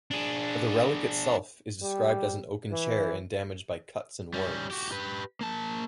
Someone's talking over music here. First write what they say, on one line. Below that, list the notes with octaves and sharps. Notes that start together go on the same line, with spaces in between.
The relic itself is described as an oaken chair damaged by cuts and worms.
D4 G#4
G3
E3
G3 C#4
F#4 G4
G4 B4
A#3 A5